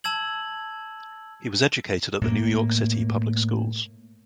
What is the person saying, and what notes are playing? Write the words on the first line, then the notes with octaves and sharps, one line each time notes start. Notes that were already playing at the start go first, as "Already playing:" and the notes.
He was educated at the New York City public schools.
A5 E6 G#6 F#7
A2 A#3